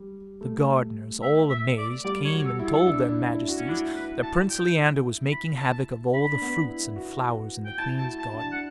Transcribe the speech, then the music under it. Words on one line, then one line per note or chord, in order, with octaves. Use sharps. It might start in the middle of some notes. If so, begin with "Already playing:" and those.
The gardeners, all amazed, came and told their majesties that Prince Leander was making havoc of all the fruits and flowers in the queen's garden.
Already playing: G3
A3
E5
E5
D5
G3 D5
C#5
F#4
A4
E4
A4
D4
E4
E4
F#4
C#4
D4 E4
B4
A5
G5
B5
A5
D4 B5
B3
E4
F#4
G5
E4 A5
F#4 A5
E4
A5
D4
A5
F#5